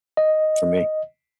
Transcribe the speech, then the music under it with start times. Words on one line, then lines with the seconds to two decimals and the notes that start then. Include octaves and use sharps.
for me.
0.17 D#5